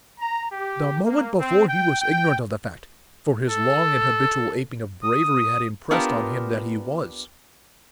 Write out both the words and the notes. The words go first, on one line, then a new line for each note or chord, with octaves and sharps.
The moment before he was ignorant of the fact, for his long and habitual aping of bravery had impressed on him that he was.
A#5
G4
A#3
C4
G5
G5
A4
D#6
B3 D4 F4 G4 A#4